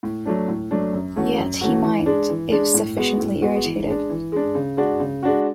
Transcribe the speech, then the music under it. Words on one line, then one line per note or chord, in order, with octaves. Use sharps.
Yet he might, if sufficiently irritated.
A2
F#3 A3 D4
A2
F#3 A3 D4
F#2
E3 A3 C#4 F#4
F#2
E3 A3 C#4 F#4
E3
G#3 D4
E3
G#3 D4
A2
G#3 B3 F#4
A2
G#3 B3 F#4
E3
G#3 D4
E3
G#3 D4
C#3
G#3 D4 F#4
C#3
G#3 D4 F#4